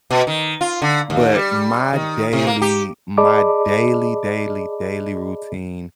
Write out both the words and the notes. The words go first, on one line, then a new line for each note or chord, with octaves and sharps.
But my daily my daily, daily, daily routine
B2
D#3
F4
D3
D#2
G3
D#3
C3
A#3
G4
G#4 D5 D#5 A5 B5 D6